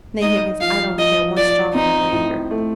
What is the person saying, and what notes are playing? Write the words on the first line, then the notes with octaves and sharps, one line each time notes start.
Nay, Higgins, I don't care one straw for your anger.
D#4 D#5
F3 F5
F3 D#5
F3 D5
C4 D#4
A2
A3